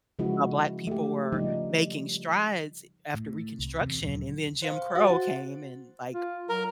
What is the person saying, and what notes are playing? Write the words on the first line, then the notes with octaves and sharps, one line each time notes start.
uh, black people were making strides, eh, after Reconstruction, and then Jim Crow came and, like,
C#3 F3 G#3 E4 F#4
A3 G4
C#3 F3 G3 D#4
A2
C2
E2 C3
D2 A#2 C#3 F#3
C5 F5
F#4 C5 F#5 A6
F4
F#3 A#4